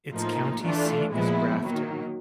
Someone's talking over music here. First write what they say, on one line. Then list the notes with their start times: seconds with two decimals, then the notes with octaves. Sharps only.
Its county seat is Grafton.
0.13 A2 F3 A#3 D#4
0.62 E3 A3 D4 F4
1.12 A#2 F3 G#3 B3 E4
1.61 D#3 F#3 A#3